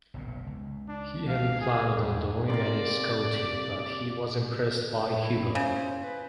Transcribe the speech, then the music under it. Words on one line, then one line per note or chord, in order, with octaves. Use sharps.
He hadn't planned on doing any scouting, but he was impressed by Hubbell.
F#1 B1 A#2
C#2
D4
F5
G#4
E2 G3
C3 A#3 D5
E4
C#3 C5
B4